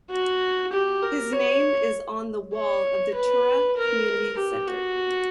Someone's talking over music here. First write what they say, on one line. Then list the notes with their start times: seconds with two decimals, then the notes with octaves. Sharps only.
His name is on the wall of the Tura Community Centre.
0.11 F#4
0.72 G4
1.03 A#4
1.32 C#5
2.55 C#5
3.15 B4
3.77 A#4
4.37 G4
4.68 F#4